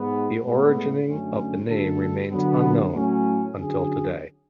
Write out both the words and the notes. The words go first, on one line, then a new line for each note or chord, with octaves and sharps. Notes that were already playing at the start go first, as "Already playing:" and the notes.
The origing of the name remains unknown until today.
Already playing: G#2 G#3 B3
A2 G#3 B3
F#2 D3 A3 C#4
D3 A3 D4 F#4 A4
D3 F#3 B3
A2 F#3 A3 C#4
D3 F#3 C#4 G#4